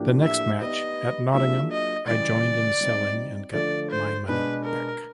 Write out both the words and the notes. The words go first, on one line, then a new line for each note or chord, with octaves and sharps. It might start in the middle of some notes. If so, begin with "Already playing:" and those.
The next match, at Nottingham, I joined in selling, and got my money back.
Already playing: A2 F3 A#3 D4 G4
E5
B3 D#4 G4 B4 D5 D#5
F#3 A#3 D4 F4 G#4 E5
D#5
C#3 E3 G3 D5
G3 C4 D#4
D3 F3 A3 D5
C5
B2 G#3 B3 D4 F#4 B4
A#4